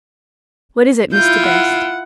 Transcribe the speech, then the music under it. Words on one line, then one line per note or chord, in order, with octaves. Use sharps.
"What is it, Mr. Best?"
E4 F4 G6
F#5